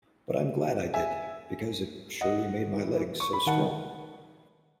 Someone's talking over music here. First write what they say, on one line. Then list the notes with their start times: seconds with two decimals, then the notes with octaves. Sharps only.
But I'm glad I did, because it surely made my legs so strong.
0.94 E5 G#5
2.21 D#5 F#5
2.74 D#3
2.83 E3
3.20 C#6
3.33 B5
3.46 D#3 F#5 A5